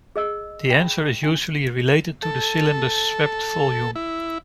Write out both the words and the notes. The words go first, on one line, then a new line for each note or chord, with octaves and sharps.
The answer is usually related to the cylinder's swept volume.
G#4 D#5 E6
G5 B5
D4
A4
E4